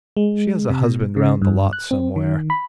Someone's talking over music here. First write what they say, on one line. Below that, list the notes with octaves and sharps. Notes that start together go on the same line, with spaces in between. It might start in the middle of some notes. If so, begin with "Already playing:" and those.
She has a husband round the lot somewhere.
G#3
C3
B2
C#3
G2
F#6
C4
D#3
B5